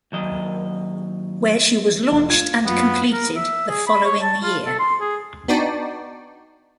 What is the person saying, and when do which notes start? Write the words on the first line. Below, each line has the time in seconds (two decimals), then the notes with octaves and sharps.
Where she was launched and completed the following year.
0.12 D#2 F#3 D#5
2.12 F1
2.29 F4 G#6 E7
2.65 F#2 B3 F4
3.12 A#4
3.36 E5
3.68 G#4
3.87 B5
4.05 C#5
4.22 A5
4.43 F4
4.66 A4
4.79 C6
5.01 G#4
5.48 B3 D4 D#4 F#4 D5 G5